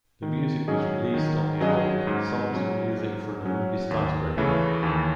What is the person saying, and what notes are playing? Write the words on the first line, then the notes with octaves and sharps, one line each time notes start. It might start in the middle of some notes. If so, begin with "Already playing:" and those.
The music was released on the album "Songs and Music from the Movie Skyscraper".
D#3
F#3 C#4 G#4 D#5
D#3
F#3 C#4 G#4 D#5
G#2
F#3 C#4
G#2
F#3 C#4
D#2
C#3 E3 A3
D#2